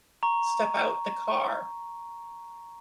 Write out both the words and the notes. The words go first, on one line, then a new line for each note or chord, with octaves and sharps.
Step out the car.
A#5 C#6